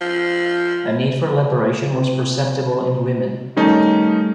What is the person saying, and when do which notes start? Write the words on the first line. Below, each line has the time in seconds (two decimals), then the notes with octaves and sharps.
A need for liberation was perceptible in women.
0.01 F3
1.93 C3
3.57 D#3 G3 A3 C#4 D#4 A4